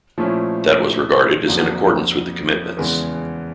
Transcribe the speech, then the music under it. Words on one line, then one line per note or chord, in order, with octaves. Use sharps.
That was regarded as in accordance with the commitments.
A#2 F3 A3 C#4 E4
F2 D3 F#3 A#3
E2 C#3 E3 G#3 B3